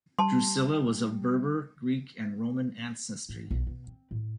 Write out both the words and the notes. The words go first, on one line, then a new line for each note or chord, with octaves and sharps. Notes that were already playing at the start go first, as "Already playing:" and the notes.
Drusilla was of Berber, Greek and Roman ancestry.
G3 A5 C6
G#2
B1
B2
C4
A2